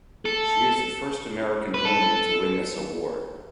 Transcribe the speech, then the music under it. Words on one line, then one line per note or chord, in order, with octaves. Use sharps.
She is the first American woman to win this award.
A4
B4
A4